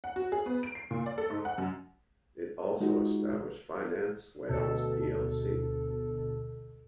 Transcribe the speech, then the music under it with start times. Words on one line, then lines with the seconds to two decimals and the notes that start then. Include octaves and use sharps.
It also established Finance Wales plc.
0.04 F#5
0.16 F#4
0.32 G#4
0.46 B3
0.63 D7
0.75 C7
0.91 A#2
1.06 D5
1.18 A4
1.30 G#2
1.45 F#5
1.58 F#2
2.80 G#3 D#4 F4 F#4 G#4
4.48 D2 B2 A4